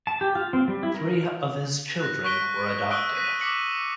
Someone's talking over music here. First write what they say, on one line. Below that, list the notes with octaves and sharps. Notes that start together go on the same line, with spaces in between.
Three of his children were adopted.
A5
G4
F4
C4
G3
E4
A#4
F#6 A#6
C#6 F#6 A#6 B6 D7 G7
C#6 D#6 E6 F#6 D7 G7
F#6 A#6 B6 D#7
D6 B6 C#7 F#7